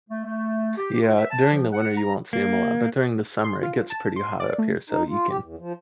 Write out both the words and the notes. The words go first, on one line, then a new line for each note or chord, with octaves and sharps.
Yeah, during the winter you won't see 'em a lot, but during the summer it gets pretty hot up here, so you can
A3
A3
G4
F4
E5
A5
F3
F#5
A#5
A#3
C6
F4
A5
C6
D5
A3
D#4
F4
G4
E2
F3